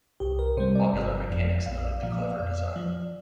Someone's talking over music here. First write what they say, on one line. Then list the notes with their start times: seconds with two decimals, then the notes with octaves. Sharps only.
Popular Mechanics noted the clever design.
0.20 C2 G4
0.39 A#4
0.57 C3 G3 C5
0.75 D5
0.93 G1
1.30 F2 F3
1.66 A#1 F5
1.85 D5
2.02 A#2 F3 F5
2.21 D5
2.32 F5
2.39 F2 D5
2.76 F3